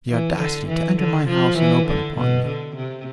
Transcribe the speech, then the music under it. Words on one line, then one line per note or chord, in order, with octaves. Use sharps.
The audacity to enter my house, and open upon me!
E3
D3
E3
D3
F3
E3
D3
B2
D3
C3